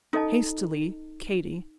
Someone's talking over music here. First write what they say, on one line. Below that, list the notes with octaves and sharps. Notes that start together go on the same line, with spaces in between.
Hastily, KATY.
C#4 D#4 A4 D#5 A5